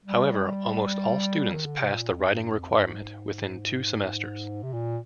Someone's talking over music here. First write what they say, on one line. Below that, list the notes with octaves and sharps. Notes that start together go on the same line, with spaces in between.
However, almost all students pass the writing requirement within two semesters.
G3
D#3
D3
C3
A#2
F2
G2
F2
G2
G#2
C3
A#2